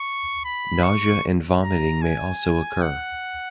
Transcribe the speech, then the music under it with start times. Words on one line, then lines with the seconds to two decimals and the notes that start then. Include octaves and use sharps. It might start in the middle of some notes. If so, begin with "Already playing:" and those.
Nausea and vomiting may also occur.
Already playing: C#6
0.45 B5
0.83 C#6
1.63 A#5
2.02 G#5
2.82 F#5